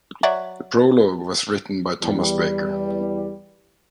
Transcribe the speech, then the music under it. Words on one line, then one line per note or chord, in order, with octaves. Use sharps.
The prologue was written by Thomas Baker.
F#3 D5 E5
E2 G3